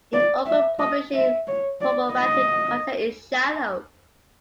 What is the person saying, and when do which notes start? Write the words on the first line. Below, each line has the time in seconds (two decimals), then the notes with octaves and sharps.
In open publishing problematic content is shallow.
0.13 D5
0.46 E5
0.79 D#5
1.14 E5
1.47 C#5
1.81 D5
2.13 D#5